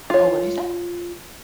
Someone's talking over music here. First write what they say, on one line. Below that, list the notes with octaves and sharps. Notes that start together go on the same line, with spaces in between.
Oh, what did you say?
F4 C#5